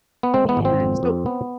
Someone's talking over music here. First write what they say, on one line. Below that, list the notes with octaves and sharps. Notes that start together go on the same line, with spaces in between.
Man. So,
B3
G#3 C4
B3
G#1
C4
F2
F2
B3